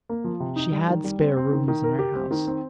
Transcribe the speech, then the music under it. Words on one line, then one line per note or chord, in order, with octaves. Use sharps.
She had spare rooms in her house.
A#3
F3
C3
D#4
G3
D#3
G3
C4
C4
D#3
D#3
A#4
G4
C4
D#3
C4